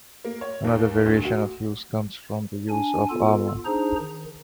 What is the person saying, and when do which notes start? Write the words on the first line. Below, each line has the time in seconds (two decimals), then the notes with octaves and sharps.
Another variation of use comes from the use of armour.
0.25 A#3
0.41 C#5
0.64 D#2
1.05 D2
1.24 F#4
2.69 D4 G#5
3.10 B3 F4 A4
3.65 D4 D#4 G#4 C5 A#5
3.99 D#3